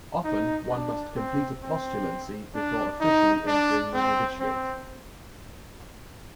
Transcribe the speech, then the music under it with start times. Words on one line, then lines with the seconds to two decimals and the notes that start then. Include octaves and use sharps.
Often one must complete a postulancy before officially entering the novitiate.
0.24 D#4
0.70 D4
1.16 C4
1.63 C4
2.54 D4
3.00 D#4
3.47 D4
3.93 C4
4.40 C4